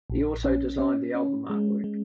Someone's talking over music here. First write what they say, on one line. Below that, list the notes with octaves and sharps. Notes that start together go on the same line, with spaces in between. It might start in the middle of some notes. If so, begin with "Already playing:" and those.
He also designed the album artwork.
A#1
C#4
C#4
C#4
G#3
G#3